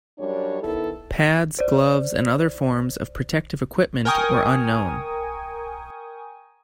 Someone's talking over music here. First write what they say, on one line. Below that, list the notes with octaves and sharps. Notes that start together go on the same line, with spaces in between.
Pads, gloves and other forms of protective equipment were unknown.
F#2 G3 D4 C#5
D#3 B3 E4 A4
C5 D5
A#4 G5 G#5 C#6 D#6